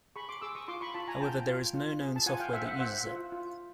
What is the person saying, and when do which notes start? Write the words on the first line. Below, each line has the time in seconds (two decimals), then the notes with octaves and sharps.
However, there is no known software that uses it.
0.16 G#4 B5 C#6
0.29 C6 D6
0.42 G#4 D6 E6
0.55 C#6 D#6
0.68 F4 C6 D6
0.81 B5 C#6
0.94 F4 A5 B5
1.08 G#5 A#5
1.21 F4 G5 A5
1.47 F4
1.74 F4
2.00 G#4
2.16 A5
2.26 F4 F#5 G#5
2.40 F5 G5
2.53 C5 E5 F#5
2.66 E5 F#5
2.79 C5 E5 F#5
3.06 F4
3.32 F4